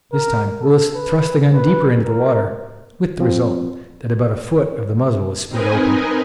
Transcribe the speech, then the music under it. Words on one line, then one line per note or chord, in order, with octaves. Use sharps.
This time Willis thrust the gun deeper into the water, with the result that about a foot of the muzzle was split open!
A#4
A4
B4
B4
A#4
F3 C4
C4 D#4 A#4 B4 D#5 G#5